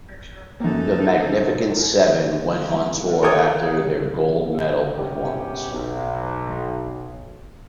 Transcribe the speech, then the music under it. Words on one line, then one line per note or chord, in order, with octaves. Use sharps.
The Magnificent Seven went on tour after their gold medal performance.
F#2 A#3 D#4 A4
A4 A#4 C#5 G5 D#6 G#6
G#2 C3 B3 C#4 G4
B1